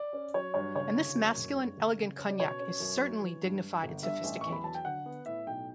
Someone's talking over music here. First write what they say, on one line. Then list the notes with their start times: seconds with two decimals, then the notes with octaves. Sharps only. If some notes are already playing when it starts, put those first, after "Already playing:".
And this masculine, elegant Cognac is certainly dignified and sophisticated.
Already playing: D5
0.13 C#4
0.34 F#3 C#5
0.54 G2 C#5
0.75 C#3 C#5
0.95 D2
1.16 F#2
1.37 F#1
1.57 G2
1.77 G1
1.98 C#3
2.18 C#4
2.30 D5
2.39 B2 C#5
2.60 C#4
2.80 F#2
3.00 F#3
3.21 E3
3.42 G2
3.62 G2
3.83 G1
4.03 G2 E5
4.24 A1
4.41 E2 C#6
4.52 B5
4.64 F#3 A5
4.75 G5
4.85 D3 F#5
5.06 B3
5.26 A2 E5
5.47 B1 G5